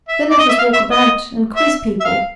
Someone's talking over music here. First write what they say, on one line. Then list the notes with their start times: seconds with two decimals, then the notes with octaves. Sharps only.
Then let us walk about and quiz people.
0.08 E5
0.30 D5
0.39 D#5
0.49 E5
0.58 F5
0.74 E5
0.91 D#5
1.56 E5
2.00 E5
2.05 F5